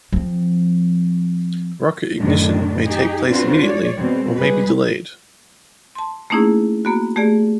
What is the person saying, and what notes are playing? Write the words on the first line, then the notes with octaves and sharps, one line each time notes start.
Rocket ignition may take place immediately, or may be delayed.
F3 C4
F#2 A2 D3 D#3 D4
D#4 G4 G#4
C4 D4 F4 F#4 B4 C5
G#3 C#5 D5
B2 G#3 C4
G3 G#3 G#4 B4
A5 C6
A3 A#3 C#4 D#4 E4 G#4
A#3 B3 F#4
A3 G4 G#4 D5